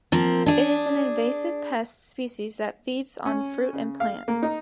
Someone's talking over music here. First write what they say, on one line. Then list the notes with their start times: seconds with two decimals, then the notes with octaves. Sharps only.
It is an invasive pest species that feeds on fruit and plants.
0.12 F3 A#3 C4
0.46 D4 G#4
3.26 C#4
3.73 C#3
4.00 F5
4.28 A#3
4.43 D#4